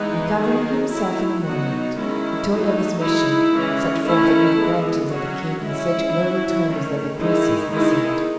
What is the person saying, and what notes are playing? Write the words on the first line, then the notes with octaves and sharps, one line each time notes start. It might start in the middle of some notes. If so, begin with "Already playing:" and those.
Recovering himself in a moment, he told of his mission, and set forth the good qualities of the King in such glowing terms that the Princess listened.
Already playing: E3 G#3 B3 D#4
D#3 F#3 A3 D#4 G#4
F#3 A3 D#4 E4
F#3 B3 D#4 F#4
D#3 G#3 C#4 E4
F#3 A3 D#4
G#3 D#4 E4
E3 G#3 C#4
D#3 A3 C#4 E4
E3 G#3 B3
F#3 C#4 F#4
G#3 C#4 E4
F#3 C#4
D#3 A3 C#4
D#3 G#3 D#4 E4
D#3 G#3 B3 D#4 E4